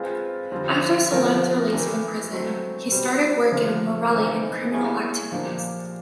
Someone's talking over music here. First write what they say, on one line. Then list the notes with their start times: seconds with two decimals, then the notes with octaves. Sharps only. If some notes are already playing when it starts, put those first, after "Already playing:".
After Salemme's release from prison, he started working with Morelli in criminal activities.
Already playing: G#3 C4 F4 G#4 B4
0.52 F2 D3 G3 C4 F4
1.12 F3 A3 C4 F4 A#4
1.72 E3 A3 D4 G4 A#4
2.32 F#3 A3 C4
2.91 B2 G3 C4
3.52 C#3 F3 A#3 D4
4.12 E3 A3 C4 D#4
4.72 G3 A#3 C#4 E4 G#4
5.31 A#2 F3 A#3 D4 G4